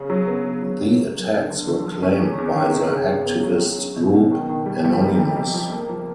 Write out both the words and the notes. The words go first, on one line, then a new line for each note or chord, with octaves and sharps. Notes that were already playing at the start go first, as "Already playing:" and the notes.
The attacks were claimed by the hacktivist group Anonymous.
Already playing: C#3
F#3
B3
C#3
F#3
A#3
F#3
F#3
D4
D3
D3
F3
C#4
E2
E2
D#3
C3
C#3
C#3
B3
F#3
G#3
C#4
B2
B2
D#3
D#3
G3
G3
C3
F2
F2
F3
A#3
F3